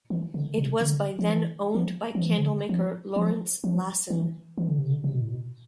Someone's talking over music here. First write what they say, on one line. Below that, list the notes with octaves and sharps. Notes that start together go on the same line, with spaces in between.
It was by then owned by candlemaker Lorentz Lassen.
E3
D3
C3
D3
F3
E3
F3
F3
E3
F3
D3
F3
F3
F3
E3
E3
D3
C3
D3
C3
B2
A2
B2